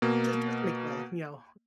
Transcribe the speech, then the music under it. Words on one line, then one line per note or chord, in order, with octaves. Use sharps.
just just to make the, you know,
B2 A#3